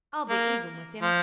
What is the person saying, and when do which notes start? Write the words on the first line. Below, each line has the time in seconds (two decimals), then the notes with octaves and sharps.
I'll be even with him.
0.29 A#3
1.02 F3